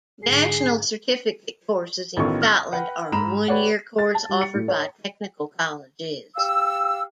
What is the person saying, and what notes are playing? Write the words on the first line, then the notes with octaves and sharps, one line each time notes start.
National Certificate courses in Scotland are a one-year course offered by Technical Colleges.
G#2 D3 G#4 C7
A1 D#3 B3 F4 A4 C#6
F6 A#6
B4 F#5 G5
G#2 A#5 B5 E7 F7
G4 B4 C#5 D5 F#5
A6
A5
G3
C#7
A2
C#5
G4 F5 E6